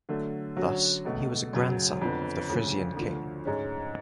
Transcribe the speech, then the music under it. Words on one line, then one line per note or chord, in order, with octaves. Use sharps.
Thus, he was a grandson of the Frisian king.
D3 F#3 A3
D3 F#3 C#4 F#4
C#2 B2 A3
F#2 C#3 F#3
F2 D3 F3 B3
D2 C#3 F3
D2 D3 F3
G#2 G#3 C#4